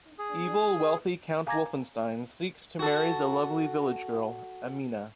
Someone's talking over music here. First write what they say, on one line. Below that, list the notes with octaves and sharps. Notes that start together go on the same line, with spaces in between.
Evil, wealthy Count Wolfenstein seeks to marry the lovely village girl, Amina.
G#4
F5 G#5 A#5 D6 G#6 A#6
F#4 A4